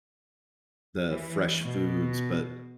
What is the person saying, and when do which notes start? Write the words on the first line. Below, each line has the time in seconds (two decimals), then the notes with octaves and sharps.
the fresh foods, but
1.07 E3
1.62 B2